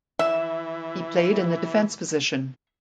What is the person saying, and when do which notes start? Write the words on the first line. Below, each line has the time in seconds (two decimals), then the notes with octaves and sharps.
He played in the defense position.
0.19 E3 E5